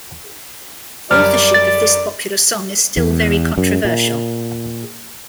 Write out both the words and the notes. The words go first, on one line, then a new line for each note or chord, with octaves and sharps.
Authorship of this popular song is still very controversial.
F#2 G3 D5 F6
A6
E2
F#2
A#2